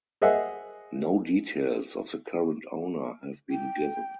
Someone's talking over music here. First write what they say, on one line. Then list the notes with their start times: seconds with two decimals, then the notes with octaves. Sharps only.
No details of the current owner have been given.
0.22 G#4 C5 D#5 E5 F#5
3.51 G5